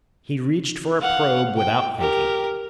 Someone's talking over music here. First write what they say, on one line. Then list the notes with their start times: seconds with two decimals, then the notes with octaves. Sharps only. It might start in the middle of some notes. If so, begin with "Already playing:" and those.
He'd reached for a probe without thinking.
1.01 F5 F#5
1.57 G5
1.98 G4 A#4